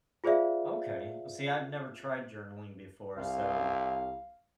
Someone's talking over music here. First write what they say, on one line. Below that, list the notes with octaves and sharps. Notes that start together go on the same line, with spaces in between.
Okay. See, I've never tried journaling before, so
F4 G#4 C5 D5 E5 F5
C2 F5